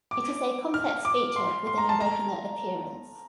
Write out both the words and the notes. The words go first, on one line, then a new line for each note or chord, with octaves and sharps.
It is a complex feature with an irregular appearance.
D6
F6
D6
C6
C6
A#5
A5
A#5